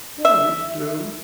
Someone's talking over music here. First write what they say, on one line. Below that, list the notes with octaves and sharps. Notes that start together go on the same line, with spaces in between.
"What are we to do?"
E5